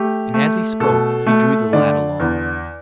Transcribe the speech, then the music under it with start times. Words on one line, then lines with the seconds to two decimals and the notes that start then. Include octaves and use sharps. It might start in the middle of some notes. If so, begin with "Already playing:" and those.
And as he spoke he drew the lad along.
Already playing: A3 G4
0.34 A3
0.80 B2 A4
1.27 A3
1.73 D3 D5
2.20 E2